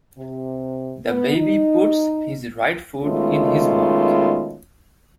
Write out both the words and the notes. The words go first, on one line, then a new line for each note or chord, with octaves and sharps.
The baby puts his right foot in his mouth.
C3
B3
D#4
B2 D#3 G#3 A3 C#4 F4